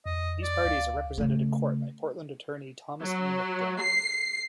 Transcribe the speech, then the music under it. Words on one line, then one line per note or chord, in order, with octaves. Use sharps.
These parties are represented in court by Portland attorney Thomas E. McDermott.
F2 D#5
D5
D2 F5
C#3 A3
F#3
C7